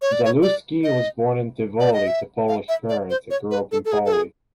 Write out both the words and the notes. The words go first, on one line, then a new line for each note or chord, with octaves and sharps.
Zalewski was born in Tivoli to Polish parents and grew up in Poli.
C#5
D5
C#5
D5
D#5
D5
D#5
E5
F5
E5
D5
C5
C#5
B4
A4
A4
G#4
A4
G#4